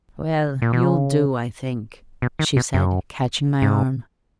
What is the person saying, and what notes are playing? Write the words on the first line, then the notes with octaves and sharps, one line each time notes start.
'Well, you'll do, I think,' she said, catching my arm.
A#2
B2
C#3
B2
D#3
B2
F#2
G#2